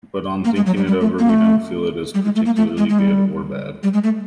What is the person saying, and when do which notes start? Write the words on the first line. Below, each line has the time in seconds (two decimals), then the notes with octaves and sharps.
But on thinking it over, we don't feel it is particularly good or bad.
0.45 A#3
0.56 G#3
0.66 F#3
0.77 G3
0.87 G3
1.01 A3
1.19 A#3
1.30 A3
2.14 G3
2.25 G#3
2.35 A3
2.46 A#3
2.56 A3
2.77 G#3
2.89 G#3
2.99 G3
3.83 G3
3.94 G#3
4.04 A3